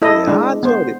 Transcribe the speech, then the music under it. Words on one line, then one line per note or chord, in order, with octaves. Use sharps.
Really, I enjoyed it.
E4 A4 D#5
G#3 D4
B3 C5